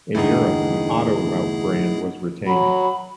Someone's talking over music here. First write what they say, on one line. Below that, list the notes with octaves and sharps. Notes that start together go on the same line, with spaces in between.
In Europe the Autoroute brand was retained.
E2 G2 D3 A3 B3 D#4 E4 G#4
F#3 B5